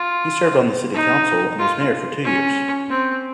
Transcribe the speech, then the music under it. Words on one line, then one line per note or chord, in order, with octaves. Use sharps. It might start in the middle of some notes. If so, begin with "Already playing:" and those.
He served on the city council and was mayor for two years.
Already playing: F4
D#4
F4
C#4
C4